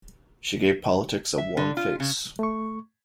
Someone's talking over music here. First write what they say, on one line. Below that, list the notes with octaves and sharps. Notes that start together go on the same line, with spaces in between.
She gave politics a warm face.
E5
D3
F4
C#3
A3 C#6